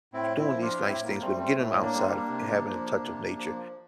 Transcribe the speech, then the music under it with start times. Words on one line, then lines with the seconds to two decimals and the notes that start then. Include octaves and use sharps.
doing these nice things with 'em, getting them outside of and having a touch of nature.
0.13 A2 C4 E4
0.37 C4 E4
0.50 F3
0.61 D4 F4
0.85 A2 C4 E4
1.03 A#3
1.22 G3 A3 C4
1.39 A3 C4
1.58 A2 A3
1.81 A#3 D4
1.93 G3 C4
2.06 A#3 D4
2.30 C3
2.65 F3
3.02 C3
3.38 F3